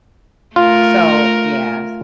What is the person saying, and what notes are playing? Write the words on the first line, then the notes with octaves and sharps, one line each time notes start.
So, yes.
A3 F4 A#4